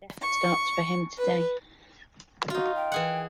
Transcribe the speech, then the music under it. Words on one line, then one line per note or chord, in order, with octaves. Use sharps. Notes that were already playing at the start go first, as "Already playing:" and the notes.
Death starts for him today.
C#6
B4
D#4 F4 F#4
G5
E3 G#4 F#5